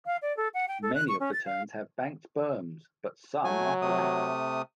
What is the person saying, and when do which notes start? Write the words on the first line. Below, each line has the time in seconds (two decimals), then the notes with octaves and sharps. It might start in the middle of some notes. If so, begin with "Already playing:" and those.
Many of the turns have banked berms, but some are flat.
0.06 F5
0.22 D5
0.37 A4
0.54 F#5
0.68 G5
0.82 A4
0.95 F#6
1.08 C#6
1.20 C#4
1.33 A6
1.45 F5
3.45 F#3 A3 G#5
3.82 C3 A3 D#6